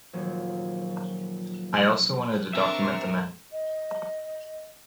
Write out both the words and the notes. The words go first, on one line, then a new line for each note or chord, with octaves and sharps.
I also wanted to document the men.
D#1 A#2 F3 F#3
C4 D4 A#4 E5 C#6
D#5